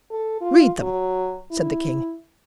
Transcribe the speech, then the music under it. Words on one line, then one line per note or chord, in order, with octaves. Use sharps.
'Read them,' said the King.
A4
F4
F#3
E4